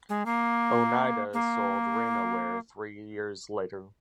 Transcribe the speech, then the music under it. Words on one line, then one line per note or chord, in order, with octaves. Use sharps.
Oneida sold Rena-ware three years later.
G#3
A#3
A#3